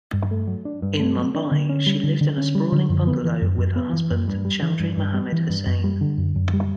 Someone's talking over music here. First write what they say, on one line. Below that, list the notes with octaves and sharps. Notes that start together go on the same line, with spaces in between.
In Mumbai, she lived in a sprawling bungalow with her husband Chaudhry Mohammed Hussain.
G2
A3
F#3
D4
G2
A3
F#3
D4
D3
C#4
G3
D3
D3
C#4
G3
D3
F#2
B3
E3
F#2
F#2
B3
E3
F#2
G2
G3
E3
G2
G2
G3
E3
G2
F#2
G3
D3
F#2
F#2
G3